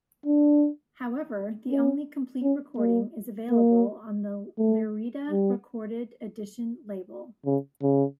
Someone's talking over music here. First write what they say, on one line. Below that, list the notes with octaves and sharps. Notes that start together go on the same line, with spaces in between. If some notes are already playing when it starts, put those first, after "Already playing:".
However, the only complete recording is available on the Lyrita Recorded Edition label.
D4
C#4
C#4
A#3
A#3
A3
G3
C#3
C#3